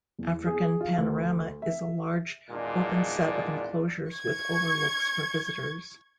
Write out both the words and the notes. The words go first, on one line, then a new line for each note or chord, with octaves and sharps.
African Panorama is a large open set of enclosures with overlooks for visitors.
E2
G#4
F4
D2
E5
G#1 E2 A#2 G#3 D4
C#6 G#6